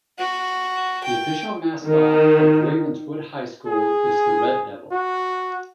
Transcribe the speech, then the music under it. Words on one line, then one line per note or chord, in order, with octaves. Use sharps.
The official mascot of Ravenswood High School is the Red Devil.
F#4
G5
D#3
G#4
F#4